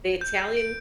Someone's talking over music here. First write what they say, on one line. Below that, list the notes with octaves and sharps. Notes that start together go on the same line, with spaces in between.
The Italian
G6
G6
D7